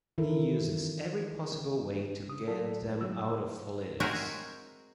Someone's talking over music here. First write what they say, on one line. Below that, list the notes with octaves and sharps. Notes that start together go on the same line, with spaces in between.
He uses every possible way to get them out of politics.
D#3 E3 E4 A4 A#4
C#3 D#6
A2 F#3 A4
G#2
G#2 B2 D3 F#3 E4 E6
G#3 C4 F#4 G#4 A#4 E5